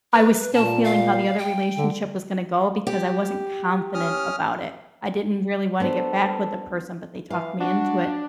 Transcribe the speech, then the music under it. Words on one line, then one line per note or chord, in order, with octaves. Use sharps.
I was still feeling how the other relationship was gonna go because I wasn't confident about it. I didn't really wanna get back with the person, but they talked me into it.
B4
A#2 A5
F5
G5
D3
G4
C#4 D#6 F6
B3 D4 A4 C5
E3 F5
D4 F#4